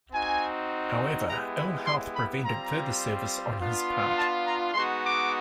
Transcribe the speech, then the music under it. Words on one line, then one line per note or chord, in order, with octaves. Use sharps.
However ill-health prevented further service on his part.
C4 D#4 F#4 G#5
G#3 B3 E4 G4 A#5
B5
C6
B5
G3 C4 F4 A#5
B3 D4 F4
A5
A#5
G#3 B3 D#4 F#4 C6
D6